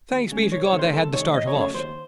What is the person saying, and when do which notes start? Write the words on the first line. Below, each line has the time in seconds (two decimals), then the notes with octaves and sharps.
Thanks be to God they had the start of us.
0.11 D#2
0.31 C#3 G#3
0.51 C2 C#5
0.66 C#5
0.72 C3 D#3 A3
0.79 C5
0.92 C2 A4
1.13 C3 D#3 A3 C#5
1.34 D#2 D#5
1.47 C#5
1.54 C#3 F#3 A3
1.61 C#5
1.75 D#2 C5